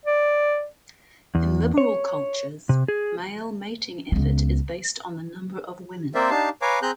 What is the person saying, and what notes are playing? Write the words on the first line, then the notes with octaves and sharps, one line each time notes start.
In liberal cultures, male mating effort is based on the number of women.
D5
E2
C#5
C3
G#4
C#2 B3
A#3 C4 A#4 C5 D5 E5
D4 D#4 G4 F5 A5
B4 C#5 F5 G#5 A#5 D6
C4 G#4 A#5 F#6 G6